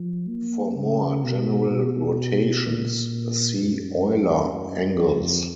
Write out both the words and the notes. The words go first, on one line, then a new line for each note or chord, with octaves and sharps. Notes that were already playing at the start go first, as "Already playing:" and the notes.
For more general rotations, see Euler angles.
Already playing: F3
A#3
C#3
B2
B2
A#2
F#2
F2